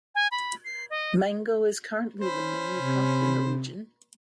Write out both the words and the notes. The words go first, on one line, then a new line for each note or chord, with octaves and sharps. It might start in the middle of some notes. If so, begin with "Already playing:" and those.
Mango is currently the main crop in the region.
G#5
B5
C7
D#5
C#4 C5 B5
C3